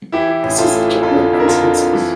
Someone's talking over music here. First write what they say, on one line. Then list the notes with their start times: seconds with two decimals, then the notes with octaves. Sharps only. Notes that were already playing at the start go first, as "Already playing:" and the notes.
This is the general consensus.
0.12 E3 E4 G4
0.29 E3
0.43 A1
0.58 A1 F4 A4
0.73 A3
0.88 E3
1.03 F2 F4 A4
1.19 D3
1.33 F2
1.40 A#4
1.48 D3 F4 A4
1.63 D3
1.78 F2
1.93 E3